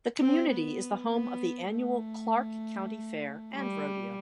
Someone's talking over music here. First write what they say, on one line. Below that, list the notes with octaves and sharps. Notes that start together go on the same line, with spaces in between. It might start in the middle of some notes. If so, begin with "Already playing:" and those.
The community is the home of the annual Clark County Fair and Rodeo.
C4
B3
B3
A3
G3